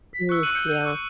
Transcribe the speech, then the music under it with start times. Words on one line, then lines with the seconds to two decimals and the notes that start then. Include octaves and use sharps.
Mm, yeah.
0.14 B6
0.29 C#6 E6 F#6
0.43 F#6 D#7 F#7
0.55 F#6 G6 C#7
0.70 D#7
0.84 C#6